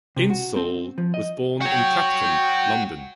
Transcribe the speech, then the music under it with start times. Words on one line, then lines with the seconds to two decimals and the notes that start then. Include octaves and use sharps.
Insole was born in Clapton, London.
0.16 C3
0.30 F#4
0.56 C4
0.98 F3
1.14 D#5
1.61 F#4 C#5 G5